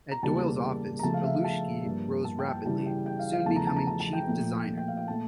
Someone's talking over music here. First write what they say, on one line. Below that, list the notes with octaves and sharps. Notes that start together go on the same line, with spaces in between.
At Doyle's office, Belluschi rose rapidly, soon becoming chief designer.
A#5
E2 C#3 G3 A#3 A5
A#5
C#3 F3 A3 A5
F5
E5
F5
A5
G2 F3 A#3
A5
G5
A5
C#3 E3 G3 A5
G5
G5
F5
F5
E2 C#3 F3 A3 A5
A#5
A5
A#5
A5
A5
G5
A#2 F3 A3
G5
F5
G5
A#2 A3 A5